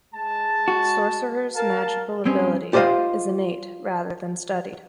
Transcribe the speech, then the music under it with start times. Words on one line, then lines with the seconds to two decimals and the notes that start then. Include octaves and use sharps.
Sorcerers' magical ability is innate rather than studied.
0.14 G#3 A5
0.68 F#4
1.55 A#4 F5 A5
2.25 G2 C4 C#4 G4 G#4 C5
2.73 F4 G4 C5 D#5 F5